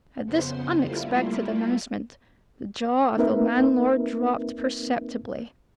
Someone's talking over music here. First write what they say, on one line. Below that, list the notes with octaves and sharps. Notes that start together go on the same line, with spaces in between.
At this unexpected announcement the jaw of the landlord dropped perceptibly.
F2 C#3 B3 C5 C6
G3 A3 A#3 E4 F4
A#3 C4 D#4 A#4 B4 E5